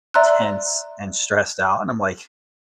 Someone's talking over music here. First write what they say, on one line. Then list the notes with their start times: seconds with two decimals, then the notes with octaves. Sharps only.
tense and stressed out and I'm like,
0.14 D5 E5 A#5 C6 E6 F#6